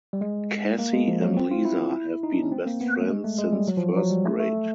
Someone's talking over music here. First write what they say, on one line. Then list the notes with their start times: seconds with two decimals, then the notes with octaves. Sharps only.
Cassie and Lisa have been best friends since first grade.
0.13 G3
0.21 G#3
0.79 A#3
0.93 G#3
1.08 F3
1.22 F#3
1.37 C4
1.51 F4
1.65 E4
2.23 D#4
2.33 D4
2.42 C#4
2.52 C4
2.67 A#3
2.81 B3
3.00 A3
3.10 G#3
3.24 A3
3.38 G#3
3.53 G3
3.68 F#3
3.77 F3
3.97 F#3
4.11 G3
4.25 A3
4.40 A3